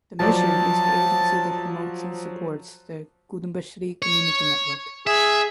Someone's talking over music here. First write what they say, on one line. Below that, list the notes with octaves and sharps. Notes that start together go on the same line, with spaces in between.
The Mission is the agency that promotes and supports the Kutumbashree community network.
F3 F#3 D5 A5
C#5
G#4 E5